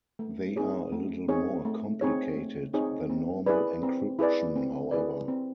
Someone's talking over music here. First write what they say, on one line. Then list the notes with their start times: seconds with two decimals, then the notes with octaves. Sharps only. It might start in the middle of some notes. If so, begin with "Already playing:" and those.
They are a little more complicated than normal encryption however.
0.19 A3
0.56 C4 D#4 G#4 C#5
0.92 A3
1.28 C4 D#4 G#4 C#5
1.65 A3
2.01 C4 D#4 G#4 C#5
2.37 A3
2.74 C4 D#4 G#4 C#5
3.10 C4
3.46 E4 G#4 B4 D5
3.83 C4
4.19 E4 G#4 B4 D5
4.56 C4
4.91 E4 G#4 B4 D5
5.28 C4